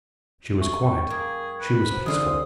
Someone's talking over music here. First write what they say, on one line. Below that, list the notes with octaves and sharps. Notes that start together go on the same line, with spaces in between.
She was quiet, she was peaceful.
F#2 G#3 E5 G#5 C#6
G5 C#6
A#3 G#4
B4
C3 F#4
F#2 D3 C4 D#4 G#4 C5 F5 D#6